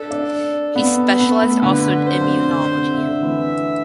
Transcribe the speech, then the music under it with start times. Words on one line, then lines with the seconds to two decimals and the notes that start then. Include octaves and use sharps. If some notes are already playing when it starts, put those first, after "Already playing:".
He specialized also in Immunology.
Already playing: D4 A4
0.11 D4
0.76 B3 A4
1.19 B3
1.41 A3
1.62 D3 B4
2.07 C3 C5
2.21 D3
2.35 C3
2.49 D3
2.72 C3
2.93 D3 E5
3.08 D3
3.23 E3